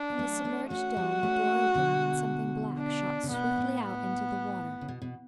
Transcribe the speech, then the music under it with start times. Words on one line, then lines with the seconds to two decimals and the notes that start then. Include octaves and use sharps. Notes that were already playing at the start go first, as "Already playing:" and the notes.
From the submerged dome a door opened and something black shot swiftly out into the water.
Already playing: D4
0.10 B3
0.18 F#3 A3
0.44 A3 C#4
0.70 A3 C#4 F#4
0.97 G3 B3
1.23 A3 C#4
1.75 B2 D3
2.79 D4
3.23 C#3
3.31 B2 B3
3.58 A2
3.84 B3
4.81 C#3
4.88 B2
5.02 B2